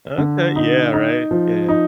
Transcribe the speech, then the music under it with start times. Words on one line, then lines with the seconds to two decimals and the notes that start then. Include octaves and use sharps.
Okay, yeah, right. Yeah.
0.18 D3
0.56 D#4
0.94 D#4
1.31 F3
1.69 D#4